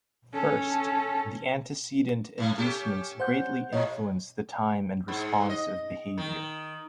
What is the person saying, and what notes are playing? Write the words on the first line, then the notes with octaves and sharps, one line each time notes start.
First, the antecedent inducements greatly influence the time and response of behavior.
C#4 A4
A2 A3 C#4
C#4 G4 A4
C5 F#5 G6
G#2 C3 C#5 D#5
G#2
D#5
D#3